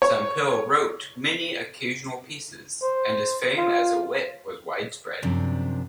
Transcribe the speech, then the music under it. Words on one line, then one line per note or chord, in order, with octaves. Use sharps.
Sempill wrote many occasional pieces, and his fame as a wit was widespread.
C#5
C5
F4
F#2 C3 F3 D4